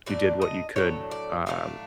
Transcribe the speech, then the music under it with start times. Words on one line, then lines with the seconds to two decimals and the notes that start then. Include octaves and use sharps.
you did what you could, um,
0.06 A2 F#3 A3 D4 D5
0.42 D#5
0.76 A2 F#3 A3 D4 C#5
1.11 D5
1.46 A2 F#3 A3 D4 F5